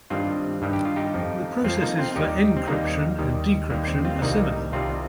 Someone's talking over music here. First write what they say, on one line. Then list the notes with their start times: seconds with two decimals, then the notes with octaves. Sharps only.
The processes for encryption and decryption are similar.
0.10 G2 D#3 G3 C4 F4
0.62 G2 D#3 G3
0.73 G4
0.85 F4
0.96 D#4 G4
1.14 F2 F3
1.64 F2 F3 C4 F4
1.82 A#3 D#4
1.98 C4 F4
2.16 D#2 D#3 G3 D#4 G4
2.57 C4
2.67 D#2 D#3 G3 A#3 D#4
3.19 D#2 D#3 G3
3.70 D#2 D#3 G3 A#3
3.87 C4
4.04 C4 F4
4.16 C4
4.22 C2 C3 D#3 G3 A#3 D#4
4.72 C2 C3 D#3 G3 C4 F4